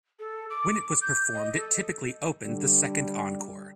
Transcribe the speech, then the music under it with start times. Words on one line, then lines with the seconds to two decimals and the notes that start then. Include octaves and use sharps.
When it was performed it typically opened the second encore.
0.19 A4
0.50 D6
1.01 G6
1.34 D#5
1.56 A4
2.45 D3 G3